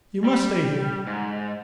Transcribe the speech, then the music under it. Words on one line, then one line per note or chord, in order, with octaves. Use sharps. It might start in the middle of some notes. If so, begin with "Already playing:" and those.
You must stay here.
G3
G#2